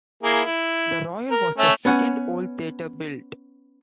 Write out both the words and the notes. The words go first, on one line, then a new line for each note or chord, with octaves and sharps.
The Royal was the second old theatre built.
A#3 E4 G#4
E4
A#4
A3 C#4 E5
B3 C#4 F#5